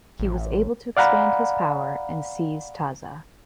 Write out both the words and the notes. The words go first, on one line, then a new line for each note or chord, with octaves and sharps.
He was able to expand his power and seize Taza.
A1
D5 F5 F#5 A#5 B5